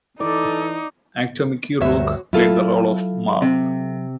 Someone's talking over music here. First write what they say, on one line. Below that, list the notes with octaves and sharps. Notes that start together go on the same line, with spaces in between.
Actor Mickey Rourke played the role of Marv.
E3 D#4 A4 D5
D2 G2 F#4 C#5 E5
F#3 E4 F4 A4
C3